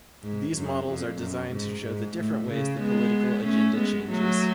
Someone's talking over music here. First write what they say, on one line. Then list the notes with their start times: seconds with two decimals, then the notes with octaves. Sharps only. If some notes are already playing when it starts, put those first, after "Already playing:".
These models are designed to show the different ways the political agenda changes.
0.23 G#2
0.55 F#2
0.88 F2
1.20 F#2
1.52 G#2
1.84 G#2
2.16 A2
2.49 C#3
2.80 G#3 B3
3.45 A3 C#4
3.77 G#3 B3
4.10 F#3 A3